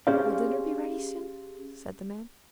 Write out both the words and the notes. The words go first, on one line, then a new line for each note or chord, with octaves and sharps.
"Will dinner be ready soon?" said the man.
C#4 G4 G#4 C5 D5 F5